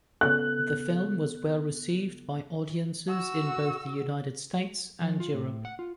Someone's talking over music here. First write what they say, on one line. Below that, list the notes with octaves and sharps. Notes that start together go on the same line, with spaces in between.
The film was well received by audiences in both the United States and Europe.
C#3 B3 A4 F#6
F#4 E6
F3
F4
A2
F#5
F4